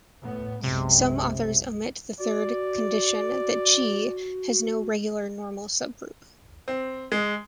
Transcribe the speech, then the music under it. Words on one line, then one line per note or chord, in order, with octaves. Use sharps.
Some authors omit the third condition that "G" has no regular normal subgroup.
A2 B3
B1 F#2 C3 G#3
F#4 D5
C4
G#3